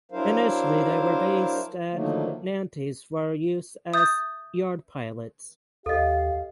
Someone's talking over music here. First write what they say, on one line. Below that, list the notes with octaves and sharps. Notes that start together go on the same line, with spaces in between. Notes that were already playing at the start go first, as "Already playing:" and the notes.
Initially they were based at Nantes for use as yard pilots.
F#3 D4 E4 A#4 C5 F5
D3 D#3 F3 F#3 A3 A#3
E5 D#6 G6 A6
D#2 G4 A4 D#5 F5